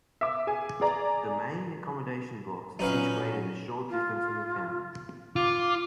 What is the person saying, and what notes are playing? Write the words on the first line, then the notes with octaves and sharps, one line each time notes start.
The main accommodation blocks are situated a short distance from the town.
E5 D6
G#4 G#5
G#4 D5 A#5
A#2 F#3 C#4 D#4 B4 F5
F4
F4 D6